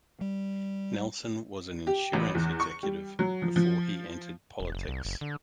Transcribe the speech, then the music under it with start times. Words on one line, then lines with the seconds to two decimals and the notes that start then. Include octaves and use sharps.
Nelson was an insurance executive before he entered politics.
0.21 G3
1.87 G4
2.13 A1
2.35 E2
2.60 C#6
2.83 G3
3.19 F#3
3.42 F3
3.56 F3
4.60 E1
4.75 F#1
4.88 C2
5.05 F#1
5.21 D3